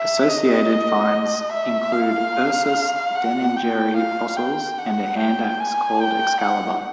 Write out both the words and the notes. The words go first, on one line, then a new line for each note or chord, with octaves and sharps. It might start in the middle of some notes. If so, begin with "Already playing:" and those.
Associated finds include "Ursus deningeri" fossils and a hand axe called "Excalibur".
Already playing: E5
D#5
E5
F5
F#5
G5
F5
G5
F#5
G5
G#5
G5
F#5